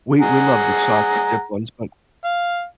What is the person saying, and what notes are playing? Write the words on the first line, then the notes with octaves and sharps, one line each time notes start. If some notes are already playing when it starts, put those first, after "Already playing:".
We we loved the chocolate chip ones, but
G#4 F#5 A#5
F5